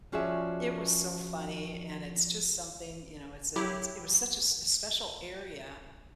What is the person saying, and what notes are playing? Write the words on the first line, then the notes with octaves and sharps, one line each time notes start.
it was so funny, and it's just something, you know it's a it's it was such a s special area,
F3 C#4 F#4 G#4 D5 E5
F#3 E4 G4